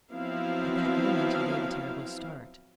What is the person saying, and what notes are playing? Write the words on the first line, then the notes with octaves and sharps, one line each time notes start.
At that moment, he gave a terrible start.
F3 F#3 B3 C4 E4 F5